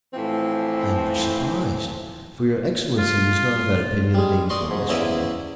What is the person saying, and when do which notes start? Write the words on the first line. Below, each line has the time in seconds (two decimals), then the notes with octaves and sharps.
"I am much surprised, for your excellency was not of that opinion the day before yesterday."
0.14 A2 E3 F3 C4
2.98 F4
4.15 G3 G#3
4.49 D5 D#5 C6 C#6
4.71 G#2
4.89 E2 C#3 E4 D5